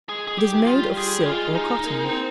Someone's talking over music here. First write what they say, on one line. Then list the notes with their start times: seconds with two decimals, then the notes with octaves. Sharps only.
It is made of silk or cotton.
0.09 G#3 G#4
0.28 G#4
0.38 G4
0.51 D#3
0.60 F3
0.67 G3 F4
0.98 G#4
1.21 G4
1.26 G#3 F4
1.55 D#4
1.85 A#3
2.04 C4